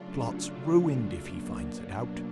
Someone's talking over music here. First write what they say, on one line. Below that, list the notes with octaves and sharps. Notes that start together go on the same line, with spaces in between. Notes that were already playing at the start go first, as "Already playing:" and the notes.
Plot's ruined if he finds it out!
Already playing: C#3 F#3 A3 D4 F4
B2 F#3 A#3 D4